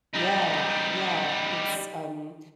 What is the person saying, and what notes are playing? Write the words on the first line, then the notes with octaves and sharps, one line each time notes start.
Yeah, yeah, it's um,
G3 D#4